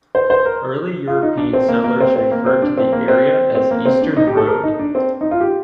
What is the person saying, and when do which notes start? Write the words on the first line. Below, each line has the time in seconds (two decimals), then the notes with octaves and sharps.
Early European settlers referred to the area as Eastern Road.
0.15 C5
0.30 C5
0.45 A#4
1.08 F4
1.23 D#4
1.37 D4
1.53 C4
1.68 A#3
1.84 A#3
2.01 C4
2.16 C4
2.32 A#3
2.46 C4
2.62 D4
2.78 C4
2.92 A#3
3.08 C4
3.55 C4
3.71 A#3
3.85 C4
4.02 D4
4.17 D#4
4.27 G4
4.37 A4
4.47 A#4
4.64 D#4
4.79 D4
4.95 C4
5.21 D#4
5.31 F4
5.40 G4